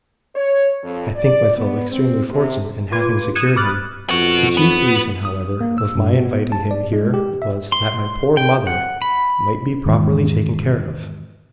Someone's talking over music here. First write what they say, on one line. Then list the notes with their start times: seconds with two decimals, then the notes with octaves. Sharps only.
I think myself extremely fortunate in having secured him. The chief reason, however, of my inviting him here was, that my poor mother might be properly taken care of.
0.35 C#5
0.83 F2
1.16 D5
1.57 B3
1.91 C4
2.29 C3
2.91 F4 B4 C6 D6 G#6 D#7
3.35 D#6 F#6 G#6 C#7 D#7 E7
3.56 B5 D6 D#6 F6 F#6 A6
4.09 F2 B3 F#4
4.57 B3
5.25 D#6
5.61 A#3
5.78 E6
5.95 G2
6.13 B2
6.25 B3
6.52 A5
6.71 D5
6.93 G#3
7.14 G4
7.42 E5
7.72 C6
8.37 G5
8.67 F#5
9.02 B5
9.86 E2 G#2 D#3